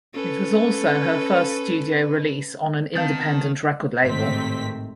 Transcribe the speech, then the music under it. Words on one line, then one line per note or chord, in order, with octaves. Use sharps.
It was also her first studio release on an independent record label.
C#4 A4 B4
D#3 B3 C4 F5 A5 G6 A6
G#1 A2 C3 D#3 C4 B6